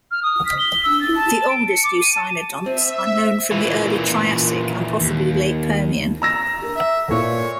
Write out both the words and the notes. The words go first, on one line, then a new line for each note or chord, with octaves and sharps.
The oldest eucynodonts are known from the Early Triassic and possibly Late Permian.
F6
D#6
B6
G7
E6
A6
A5
D7
C#7
D6
D#7
A5
C4 E5
A#2 E3
D#2
A#5 E6 A#6
E5
A#2 C#5